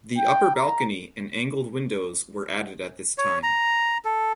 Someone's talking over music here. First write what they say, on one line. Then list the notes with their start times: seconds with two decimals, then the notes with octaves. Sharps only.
The upper balcony and angled windows were added at this time.
0.18 G5
0.56 A#5
3.18 C#5
3.43 A#5
4.05 A4